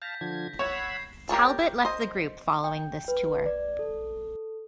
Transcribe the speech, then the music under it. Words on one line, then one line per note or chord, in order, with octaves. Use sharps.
Talbot left the group following this tour.
F5 A5 G6 A#6 B6
D3 F3 G#6
C#5 F#5 B5 E6
G#6 C7 E7
C7
G4 A#4 C#5 A5
C5 D#5
G5
B4
D5
A4